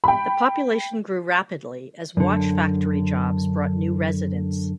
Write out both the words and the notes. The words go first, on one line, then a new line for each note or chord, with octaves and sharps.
The population grew rapidly as watch factory jobs brought new residents.
G5 B5
F#2 D3